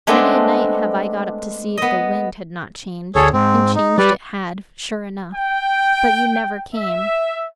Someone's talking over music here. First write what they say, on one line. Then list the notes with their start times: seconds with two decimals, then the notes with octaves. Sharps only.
Many a night have I got up to see if the wind had not changed: and changed it had, sure enough; but you never came.
0.07 G#3 A3 B3 C4 D4
1.77 B3 D#5
3.15 D2 G#4 A4 C#5
3.33 G#2 C4
3.75 D#4
3.98 G3 B4 D5
5.35 G5
6.74 E5